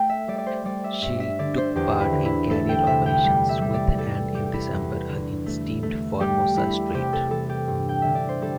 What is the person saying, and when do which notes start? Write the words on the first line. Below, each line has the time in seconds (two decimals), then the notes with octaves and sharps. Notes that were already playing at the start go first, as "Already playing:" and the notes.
She took part in carrier operations with and in December again steamed Formosa Strait.
Already playing: A3 G5
0.10 E5
0.28 G3 D5
0.38 D5
0.46 C5
0.65 G3 D5
0.84 E5
1.02 G2 E5
1.20 E5
1.39 D3 D5
1.57 C5
1.76 E2 G4
2.00 E4
2.13 D3
2.25 E4
2.50 A3 A4
2.69 G5
2.87 C3 E5
3.06 G5
3.24 G3
3.49 E5
3.62 G3
3.74 D5
3.97 G3 A4
4.35 G3 G4
4.46 G4
4.53 E4
4.72 E2
5.09 D3
5.46 A3
5.83 A3
6.20 G3 G4
6.57 G3 E4
6.94 C3 G4
7.13 A4
7.30 E3 A4
7.49 G4
7.68 G2
7.89 G5
8.02 D3 E5
8.15 D5
8.29 C5
8.42 G3 A4